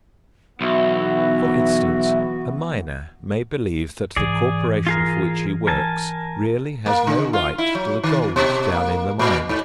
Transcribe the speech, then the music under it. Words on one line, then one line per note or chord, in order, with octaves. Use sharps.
For instance, a miner may believe that the corporation for which he works really has no right to the gold down in the mine.
B1 E3 B3 F#4 E5
G#2 E3 G#4 D5
F4 G#4 A#4
A#4 G#5 A5
A#3
D3
F4
E4
F#3
D#3
B2
A#3
A#2
G#2